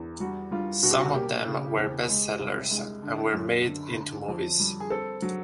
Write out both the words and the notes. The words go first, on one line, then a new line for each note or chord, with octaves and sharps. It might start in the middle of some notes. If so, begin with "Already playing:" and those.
Some of them were best-sellers and were made into movies.
Already playing: E2
G3 F#4
G3 F4
B2 F#4
G4
F#4
A#3 G4
C#3
E2
G#3
C2
G#3
D3
F#2
D3
D3
F2
G3
G#4
C4 A4
F#3